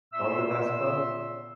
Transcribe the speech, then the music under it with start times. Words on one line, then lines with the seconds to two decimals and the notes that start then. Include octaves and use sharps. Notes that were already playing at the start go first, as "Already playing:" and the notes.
on the Vespa,
0.13 A#2 B3 E5 C6 E6